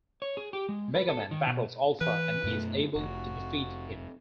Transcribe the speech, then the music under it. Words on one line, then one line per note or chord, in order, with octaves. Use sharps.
Megaman battles Alpha, and is able to defeat him.
C#5
G#4
G4
G#3
B4
A4
D#3
B2
E3 B4
F#2 B2 A3
F1 F#4